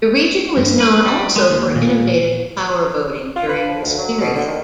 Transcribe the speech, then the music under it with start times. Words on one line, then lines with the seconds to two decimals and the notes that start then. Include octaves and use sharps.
The region was known also for innovative power boating during this period.
0.57 G2
0.80 B4
1.06 G3
1.36 G#3
1.50 D#2
1.75 A#2
3.36 F4
3.49 B4
3.69 F3
3.82 D2
3.98 F#3
4.21 B2
4.35 D3
4.48 D#3